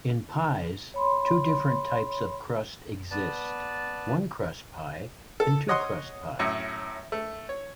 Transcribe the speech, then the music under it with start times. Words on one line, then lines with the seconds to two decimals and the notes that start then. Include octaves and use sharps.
In pies, two different types of crust exist: one-crust pie and two-crust pie.
0.94 C#5 B5 C6
3.11 B3 B4 D5 A5
5.40 A4
5.68 C#5 D#5 F#5 C6 D#6
6.39 F#2 A2
7.12 A3
7.49 C#5